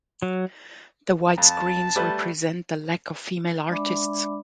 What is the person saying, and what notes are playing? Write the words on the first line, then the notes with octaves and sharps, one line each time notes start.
The white screens represent the lack of female artists.
F#3
F2 A5
G3 A3 B4
G#3 D4 D5 E5 B5 D6